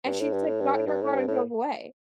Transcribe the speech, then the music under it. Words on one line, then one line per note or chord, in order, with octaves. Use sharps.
And she's, like, got in her car and drove away.
G2
A2
G2
A2
G2
A2
G2
A2
G2
A2